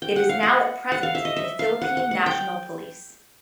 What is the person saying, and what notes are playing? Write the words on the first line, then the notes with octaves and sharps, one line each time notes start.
It is now at present, the Philippine National Police.
G5
F#5
F5
F#5
F#5
F5
E5
D#5
E5
F5
F#5
F#5
F#5
G5